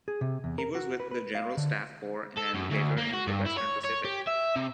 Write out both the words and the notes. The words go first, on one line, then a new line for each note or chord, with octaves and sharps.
He was with the General Staff Corps and later in the Western Pacific.
G#4
C3
E2
A#4
F#4
B4
B4
F5
D3
A4
F#2
D2
A#3
F#4
G2
E4
C#5
C#5
G4
E5
C3